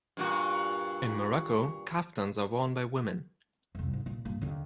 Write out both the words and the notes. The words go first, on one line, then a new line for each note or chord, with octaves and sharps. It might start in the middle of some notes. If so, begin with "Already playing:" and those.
In Morocco, kaftans are worn by women.
G2 A#2 F#4
C2 F2
G#2
A#2
G2 A#3
D#2 D3